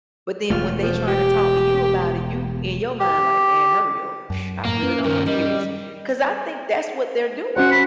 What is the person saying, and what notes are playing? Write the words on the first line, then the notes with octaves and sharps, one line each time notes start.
but then when they tryna talk to you about it, you in your mind, like, "Man, hurry up, pfft, I really don't wanna hear this," 'cause I think that's what they're doing.
E1 A3 F4
F3
G4
G4
F#2
F#2 A2 A#3
C#4 B4
G2 D#3 A#4
G3 D#5
C#4 F#4 C5 F#5
B5